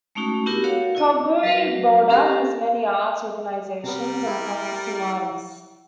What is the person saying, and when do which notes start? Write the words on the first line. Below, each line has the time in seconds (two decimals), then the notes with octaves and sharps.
Kalgoorlie-Boulder has many arts organisations and practising artists.
0.15 G#3 A3 C#4 D#4 F#4
0.46 B3 D4 E4 F#4 G4 A#4
0.64 F#4 A4 C#5 F5 F#5
0.95 E4 D#5
1.43 F#3 F#4 A#4 B4 F#5
2.09 C4 C#4 G4 A4 A#4 C5
3.84 C3 G3 B3 A#4
4.27 E4 G4